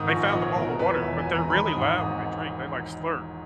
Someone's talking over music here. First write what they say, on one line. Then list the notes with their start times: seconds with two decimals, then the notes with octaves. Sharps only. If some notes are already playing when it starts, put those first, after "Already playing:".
they found the bowl of water but they're really loud when they drink, they, like, slurp.
Already playing: G#2 D#3 D#6 G6
0.09 A#1 C#6
0.24 D#5
0.33 A#1
0.40 C#5
0.56 B2 A#4
0.68 A#4
0.79 E2 B4
0.91 C#5
1.03 E1 E5
1.19 G#5
1.27 E1
1.35 A#5
1.50 D#3 B5
1.66 D#6
1.74 G#2
1.82 D#6
1.98 G#1 D#6